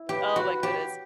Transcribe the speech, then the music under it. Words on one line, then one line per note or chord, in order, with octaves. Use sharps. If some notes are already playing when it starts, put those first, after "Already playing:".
oh my goodness,
Already playing: E4
G4 B4
F#4
G4